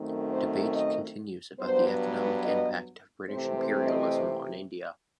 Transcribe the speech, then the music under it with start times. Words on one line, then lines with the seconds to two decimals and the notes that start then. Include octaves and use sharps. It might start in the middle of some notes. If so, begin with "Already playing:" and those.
Debate continues about the economic impact of British imperialism on India.
Already playing: F#2 D#3 A3 C4
0.32 C5
0.74 D#5
1.59 G2 F#3 B3 C5
2.44 D#5
3.29 C3 E3 A3 C4 C5
3.58 C5
3.86 D#5